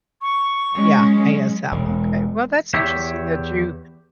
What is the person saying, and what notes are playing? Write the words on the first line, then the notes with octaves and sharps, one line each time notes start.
Yeah, ASL, okay. Well, that's interesting that you
C#6
F#3 G#3 C#4
E1
E2 G4 C#5 E5